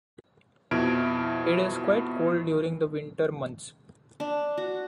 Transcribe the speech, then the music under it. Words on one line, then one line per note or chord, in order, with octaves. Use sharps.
It is quite cold during the winter months.
F2 B2 E4 F6 G#6 D7
D4
F#4